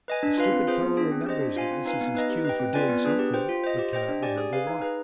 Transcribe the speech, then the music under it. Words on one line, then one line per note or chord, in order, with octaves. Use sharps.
The stupid fellow remembers that this is his cue for doing something, but cannot remember what.
B4 D#5 G#5
D4
F4 B4 F5
C4
F4 G#4 C5
B3
D4 G#4
C4
G4 C5 D#5
D4
F4 C5 F5 G#5
C4
D#4 B4 F5 G#5
B3
D#4 B4 D#5
G4
B4 D#5 G5
C4
F4 B4 D5 G#5
B3
D4 G#4 B4
G4
C5 G5
F4
C5 D#5
G4
C5 D#5 G5
D4
G4 D5 G#5
G#4
B4 F5 G#5
D#4
G#4 B4